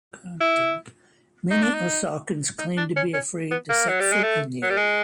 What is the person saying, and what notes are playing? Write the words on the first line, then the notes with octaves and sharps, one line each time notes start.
Many Osakans claim to be afraid to set foot in the area.
E4
D#4
D4
D#4
D#4
D4
C#4
C#4
B3
A#3
F#3
G3
G#3
A3
F#3
G3
G#3